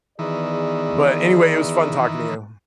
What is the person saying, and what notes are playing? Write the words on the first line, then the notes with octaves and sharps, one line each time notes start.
But anyway, it was fun talking to you.
D#3 E3 B3 G#4 D5